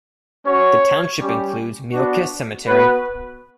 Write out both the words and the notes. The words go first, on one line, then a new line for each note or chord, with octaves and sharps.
The township includes Mielke Cemetery.
C#4 F#4 C#5
G3 C#4 G4
B3 D4 F#4
B3 F#4 B4